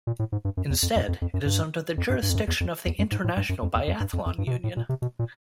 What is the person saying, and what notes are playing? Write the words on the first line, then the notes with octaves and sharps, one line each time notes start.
Instead, it is under the jurisdiction of the International Biathlon Union.
A#2
A2
G#2
G2
F#2
E2
F2
F2
F2
F2
F#2
G2
F2
G2
G2
F2
F#2
E2
F2
E2
F#2
G#2
A2
G2
F#2
F2
E2
F2
G2
F2
F2
G2
C3
B2
A2
A#2
C3
B2
A#2